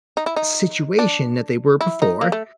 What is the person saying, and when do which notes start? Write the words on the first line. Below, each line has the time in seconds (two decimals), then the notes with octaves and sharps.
situation that they were before.
0.17 D#4
0.26 E4
0.36 D#4
0.99 D4
1.81 E4
2.02 D#4
2.21 A#3
2.32 A3